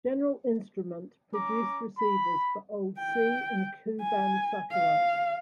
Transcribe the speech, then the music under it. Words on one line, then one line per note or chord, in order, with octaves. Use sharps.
General Instrument produced receivers for old C and Ku band satellites.
C#4 A#5 D6
B5
G5
G#5
F5